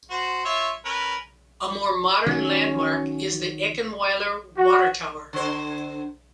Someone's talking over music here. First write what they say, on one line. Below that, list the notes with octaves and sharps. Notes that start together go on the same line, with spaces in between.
A more modern landmark is the Eckenweiler Water Tower.
F#4 C5
F4 C#5 E5
C#4 A#4 B4
D#3 F#3 C#4
F#4
D3 C5